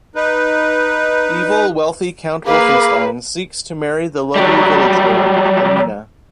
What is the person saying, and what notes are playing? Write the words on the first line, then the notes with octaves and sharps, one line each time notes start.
Evil, wealthy Count Wolfenstein seeks to marry the lovely village girl, Amina.
D#4 B4
A#3 G#4 B4 F5 D6
F#3 G3